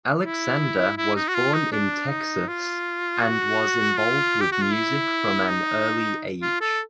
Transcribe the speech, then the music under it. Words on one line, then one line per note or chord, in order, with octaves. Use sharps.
Alexander was born in Texas and was involved with music from an early age.
E4
E4
D#4
F#4
F4
D#4
D4
D#4
F4
F#4
F4
G4
F#4
F4
E4
D#4
F4
A4